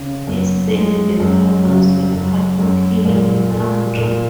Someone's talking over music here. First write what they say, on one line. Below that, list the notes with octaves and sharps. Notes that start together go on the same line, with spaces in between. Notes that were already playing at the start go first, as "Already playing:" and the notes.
He said the pardons were part of healing the country.
Already playing: C#3
F#2
G#3
F#2
C#3
F#2
F#2
A#2
A#2
A#2